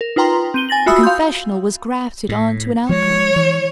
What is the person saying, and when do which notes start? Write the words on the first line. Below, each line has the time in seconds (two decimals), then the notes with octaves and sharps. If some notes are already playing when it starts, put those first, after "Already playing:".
A confessional was grafted on to an alcove.
0.01 A#4
0.16 D#4 F4 B4 G5 A#5 C6
0.54 C4 D#7 G7
0.69 G#5 A6 A#6 F#7
0.86 F4 F#4 E5 B5 D#6 E6
1.03 F5 C6 G6
2.29 A2
2.89 F3 G#3 C#5
3.36 E3